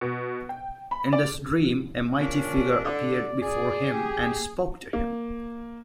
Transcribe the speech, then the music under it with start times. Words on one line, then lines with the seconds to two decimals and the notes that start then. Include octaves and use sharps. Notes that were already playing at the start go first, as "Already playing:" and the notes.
In this dream, a mighty figure appeared before him, and spoke to him.
0.01 B2
0.49 G5
0.91 B5
1.13 D5
2.19 A#2 C#4 D4
2.84 D3 D5
3.42 G#4 D5
3.93 G4
4.93 A#3